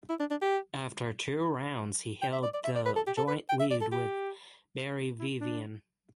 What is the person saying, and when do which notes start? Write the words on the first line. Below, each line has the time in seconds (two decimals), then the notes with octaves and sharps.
After two rounds he held the joint lead with Barry Vivian.
0.09 E4
0.20 D4
0.31 D4
0.42 G4
2.22 G5
2.33 E5
2.43 D5
2.54 D5
2.64 E5
2.75 D5
2.85 B4
2.96 A4
3.07 G4
3.17 A4
3.28 B4
3.49 G5
3.60 E5
3.71 D5
3.81 A4
3.92 G4
5.19 E4
5.41 D4